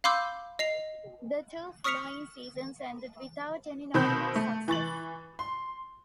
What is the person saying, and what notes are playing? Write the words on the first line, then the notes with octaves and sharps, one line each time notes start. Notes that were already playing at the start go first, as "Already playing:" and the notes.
The two following seasons ended without any notable success.
F5 B5 C6 D6 E6 G6
D#5 C7 F7
C#6 D#6 F6 B6 C#7 F7
B2 D#3 C4 B5 G6
A3
E3 C#6 A6 F#7
C6